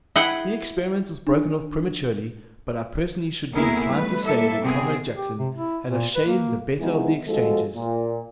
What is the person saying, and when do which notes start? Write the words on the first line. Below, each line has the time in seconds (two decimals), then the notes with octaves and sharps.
The experiment was broken off prematurely, but I personally should be inclined to say that Comrade Jackson had a shade the better of the exchanges.'
0.16 E4 G#4 B4 F#5 G5
1.27 D4
3.54 D#2 A3 B3 E4 G#4 A#4
3.87 G2 A3 B4
4.25 A#3 E4 A4 E5
4.61 C3 B3 C4 G#4
5.15 G4
5.38 C3
5.55 E4
5.89 A#2
6.15 B4
6.27 A#3
6.80 F3 G#3 B3 D#4 E4
7.26 G1 F3 G#3 F#4 A4 D#5
7.74 A#2